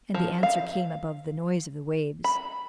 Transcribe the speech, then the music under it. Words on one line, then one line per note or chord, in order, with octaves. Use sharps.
And the answer came above the noise of the waves.
F3
F5
B5